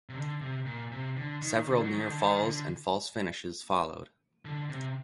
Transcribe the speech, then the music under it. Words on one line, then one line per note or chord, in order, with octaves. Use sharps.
Several near falls and false finishes followed.
C3
D3
C3
A#2
C3
D3
D#3
D3
F#3
D#3
D3
D#3
D3
D3
C3